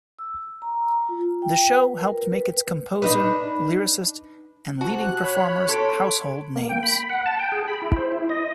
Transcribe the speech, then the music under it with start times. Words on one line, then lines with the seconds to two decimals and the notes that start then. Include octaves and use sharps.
The show helped make its composer, lyricist and leading performers household names.
0.19 E6
0.62 A#5
1.09 F4
1.42 G5
1.71 B4
2.01 A#4
2.32 B4
3.02 D4 D#4 B4
4.81 C3 F#4 A5 F#6
5.21 C#5 B5
5.69 A4 C6 G#6 D7
6.56 A#3
6.69 G5
6.83 B5
7.09 F#5
7.26 A5
7.39 G5
7.52 G#4
7.68 B5
7.82 E4
7.96 C5
8.12 E4
8.29 D#5